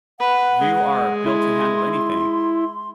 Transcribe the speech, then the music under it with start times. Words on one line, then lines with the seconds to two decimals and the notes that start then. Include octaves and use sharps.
You are built to handle anything.
0.20 B4 F#5
0.62 G#3
1.26 E4 C6